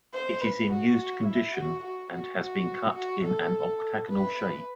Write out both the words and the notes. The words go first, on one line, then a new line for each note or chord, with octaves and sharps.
It is in used condition and has been cut in an octagonal shape.
C5
B4
F#4
E4
F#4
F#4
F#4
F#4
F#4
A4
B4